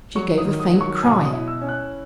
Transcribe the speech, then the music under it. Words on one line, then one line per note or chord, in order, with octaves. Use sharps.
She gave a faint cry.
F#3 C#6
D#6
D#3
D#6
F#3
C#6
B2 G#5
D#6
E4
E6
C#4
F#6